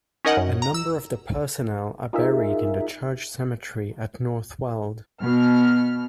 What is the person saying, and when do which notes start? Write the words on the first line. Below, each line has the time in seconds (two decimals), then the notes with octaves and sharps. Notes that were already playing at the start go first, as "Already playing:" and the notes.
A number of the personnel are buried in the church cemetery at North Weald.
0.25 C#4 D#4 A#4 D#5 F#5
0.37 F#2
0.62 A#5
0.74 E6
2.13 D#4 F4 G#4 A#4 E5
5.23 B2 F6